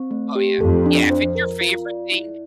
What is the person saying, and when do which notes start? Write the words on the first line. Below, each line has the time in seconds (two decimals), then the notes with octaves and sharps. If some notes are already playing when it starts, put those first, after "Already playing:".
Oh, yeah. Yeah. If it's your favorite thing
Already playing: C4
0.11 A3
0.36 G4
0.61 F2 A4
0.86 D4
1.10 C5
1.35 A#4
1.61 F4
1.86 D5
2.12 E4